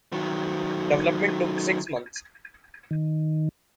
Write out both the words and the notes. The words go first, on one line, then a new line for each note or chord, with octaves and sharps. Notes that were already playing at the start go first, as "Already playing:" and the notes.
Development took six months.
D#3 F#3
D#3